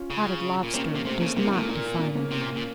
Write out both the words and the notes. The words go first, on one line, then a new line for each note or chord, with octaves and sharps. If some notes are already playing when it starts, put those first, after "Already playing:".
Potted lobster does not define a man.
Already playing: C#4 F4
C#3
A#2
C3 A#3 C#4
C3
C3 A3 C4
C#3 A#3
C3 A#3
A#2 A#3
A3
A#3
A#3
A#3 C#4
C3
A#2
A#2